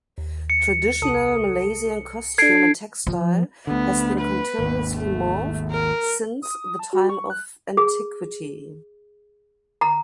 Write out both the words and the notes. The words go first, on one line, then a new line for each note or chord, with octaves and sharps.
Traditional Malaysian costume and textile has been continuously morphed since the time of antiquity.
D#2
C#7
C2 A4 D#6
D4 A4 G#6 C7 D7
F3
D2 D3 B3
B4
G#1 D#2
A3
A#4
D#6
A5
F#4
C#6
F#6
G#4
A#5